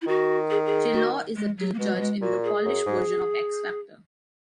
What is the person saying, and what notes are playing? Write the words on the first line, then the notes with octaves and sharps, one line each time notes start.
Czesław is a judge in the Polish version of X-Factor.
E4
D#3 F#4
G#4
G#4
F#4
G#3
F#3
A#3
B2 G#3
F#3
G#3
A#2 F#4
G#4
F#2
G#2